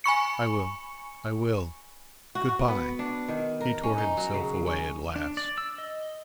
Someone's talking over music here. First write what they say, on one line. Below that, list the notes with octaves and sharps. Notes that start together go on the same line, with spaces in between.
"I will, I will, good-bye." He tore himself away at last.
G#5 B5 C#6 C#7
F#4
F#4
B3
D4
D#3
A#4
C#4
D#4
F#3
C#3
C#4
D4
D5
E6
D#5